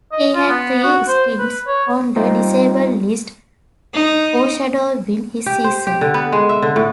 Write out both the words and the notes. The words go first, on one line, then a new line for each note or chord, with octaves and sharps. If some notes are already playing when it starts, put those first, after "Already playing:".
He had three stints on the disabled list, foreshadowing his season.
D#5
F4
B3
F#4
C5
B4
C#5
G3 C4 D#4 F4
D#4
G4
C5
G4
D3
B3
G#3
E5
D3
A2